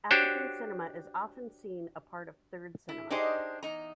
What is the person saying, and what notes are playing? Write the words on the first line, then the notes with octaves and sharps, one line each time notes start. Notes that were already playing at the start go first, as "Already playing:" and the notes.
African cinema is often seen a part of Third Cinema.
D4 F#4 G4 C5 C#5
E4
D4 D#4 G4 G#4 C5 D#5
E2 D#4 A#5